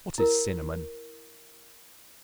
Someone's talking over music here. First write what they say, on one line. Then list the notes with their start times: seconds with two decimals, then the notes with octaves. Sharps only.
What is Cinnamon?
0.18 E4 A#4